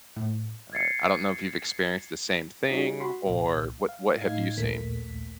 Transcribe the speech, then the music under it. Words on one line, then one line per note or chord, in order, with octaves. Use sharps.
Uh, I don't know if you've experienced the same thing? Or what what have you seen?
A2
G#6 A6 C7 C#7
G3 C#4 D#4 F#4 D#5
F#4 B5 C6
C2 A#2
F5
A2 D#4 F5 G#6 C7
A#1 D#2 A3 A#3 B6